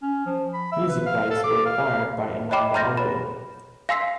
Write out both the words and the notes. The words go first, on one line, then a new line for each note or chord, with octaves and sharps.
Music rights were acquired by Ananda Audio.
C#4
F3
B5
E5
B4
F5
A4
D6
F5
C#5 D#5 E5 G5 B5 D6
A#5 C6 F6 G6 A6 A#6
C#5 B5
F5 G#5 C6 E6 B6 C7